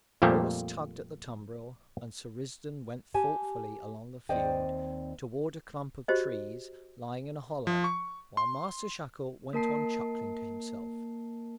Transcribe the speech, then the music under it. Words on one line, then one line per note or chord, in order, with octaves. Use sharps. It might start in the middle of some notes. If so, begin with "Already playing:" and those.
The horse tugged at the tumbril, and Sir Risdon went thoughtfully along the field, toward a clump of trees lying in a hollow, while Master Shackle went on chuckling to himself.
F2 A#2 F3 G3 A3 A#3
G4 G#5 A5
D#2 C4 C5 D5 D#5 G5
F#4 G4 C5 D#5
F3
C#6
C6
A#3 A#4 A5 C7